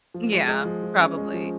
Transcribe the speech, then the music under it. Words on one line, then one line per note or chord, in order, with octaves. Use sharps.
Yeah. Probably.
F3
G#3
G#3
F3
F3
C#4
G#3
F3